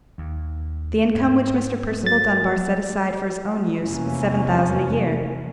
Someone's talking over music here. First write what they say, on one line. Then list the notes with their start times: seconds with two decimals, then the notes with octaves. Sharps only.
The income which Mr. Percival Dunbar set aside for his own use was seven thousand a year.
0.18 D#2
1.15 G#2
2.03 F#3 A6
3.80 F1 E2 C3 E3 A#3 C#4